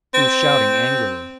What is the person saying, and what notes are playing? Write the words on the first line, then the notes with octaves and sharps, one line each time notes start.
He was shouting angrily.
C4